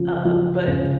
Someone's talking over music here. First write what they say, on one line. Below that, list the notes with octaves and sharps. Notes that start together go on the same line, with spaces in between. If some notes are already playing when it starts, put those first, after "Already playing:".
Uh, but
Already playing: C#3 F3
F3
C#3